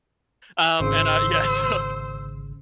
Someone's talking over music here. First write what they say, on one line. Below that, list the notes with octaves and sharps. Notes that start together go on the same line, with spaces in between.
um, and, uh, yeah, so
G#1 C#3 C5 E6